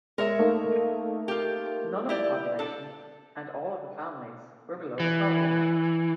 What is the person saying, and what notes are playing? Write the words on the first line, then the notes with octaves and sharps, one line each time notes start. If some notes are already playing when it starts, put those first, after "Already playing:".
None of the population and all of the families were below the poverty line.
G#3 A#4 C#5 E5
A3 A#3 D#4
F4 G4
E4 G4 D5
D4 A4
E3